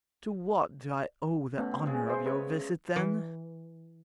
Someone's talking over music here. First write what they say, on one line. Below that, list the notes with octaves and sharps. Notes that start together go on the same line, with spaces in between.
"To what do I owe the honor of your visit, then?"
B2 A3 B3 C#4
C4
C#3 G#3
C5 E5
B4 C#5 D#5 E5
E3